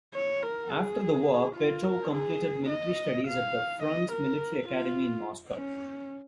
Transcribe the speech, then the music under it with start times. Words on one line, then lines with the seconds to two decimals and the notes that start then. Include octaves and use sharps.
After the war, Petrov completed Military Studies at the Frunze Military Academy in Moscow.
0.14 C#5
0.43 A#4
0.71 G#4
1.56 F4
1.84 A#4
2.13 G#4
2.69 D#5
3.27 F5
3.83 D#5
4.12 A#4
4.69 F4
5.54 C#4